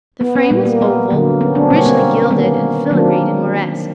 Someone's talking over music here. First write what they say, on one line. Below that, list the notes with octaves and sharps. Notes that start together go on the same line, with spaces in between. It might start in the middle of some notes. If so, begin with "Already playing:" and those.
The frame was oval, richly gilded and filigreed in Moresque.
B3
B3
A#2 G3 A#3 B3
A#3
B3
D3 F#3 A#3
B3 C#4
C4 D4
B2 G3 A#3 B3 C#4
A#3 C4
D#3 G3 A#3 B3 C#4
D#3 F#3 A#3 C4 D4